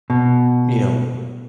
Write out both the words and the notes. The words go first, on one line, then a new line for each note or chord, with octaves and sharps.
you know,
B2